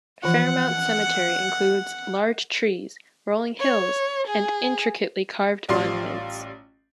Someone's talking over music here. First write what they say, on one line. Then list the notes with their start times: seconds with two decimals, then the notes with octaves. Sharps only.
Fairmount Cemetery includes large trees, rolling hills, and intricately carved monuments.
0.23 E3 F3 F4 F#5
3.60 C#5
4.27 G#4
5.69 A1 G3 F4 D5 F5 C6